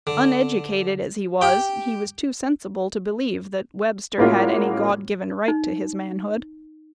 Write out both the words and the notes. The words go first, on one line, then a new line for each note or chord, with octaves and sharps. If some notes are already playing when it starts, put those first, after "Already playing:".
Uneducated as he was, he was too sensible to believe that Webster had any God-given right to his manhood.
D3
G4 G5
A2 G#3 A#3 C#4 F4 F#4
D#4